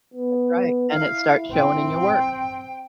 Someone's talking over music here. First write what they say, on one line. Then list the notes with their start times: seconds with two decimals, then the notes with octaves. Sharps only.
That's right, and it starts showing in your work.
0.14 B3
0.90 E4 F5
1.52 C4 G5